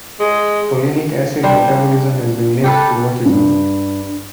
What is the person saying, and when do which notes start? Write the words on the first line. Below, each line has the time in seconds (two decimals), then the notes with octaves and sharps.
Folinic acid metabolism has been linked to autism.
0.20 G#3
1.43 G3 D4 C5
2.64 G4 A4 B4
3.26 G2